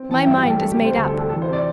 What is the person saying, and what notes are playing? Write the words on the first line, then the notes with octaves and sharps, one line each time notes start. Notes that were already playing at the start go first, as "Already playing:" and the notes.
My mind is made up.
Already playing: C4
E3 A5
G5
G2 E5
G4
G2
A4
A3 A4
G4
C3
C5
D2 A4
A4
D4
A4
E3 A4
C5
C3 D5